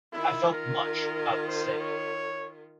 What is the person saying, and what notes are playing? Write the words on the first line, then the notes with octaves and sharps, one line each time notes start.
I felt much about the same.
D#3 E4 F4
A#4
C5
C#5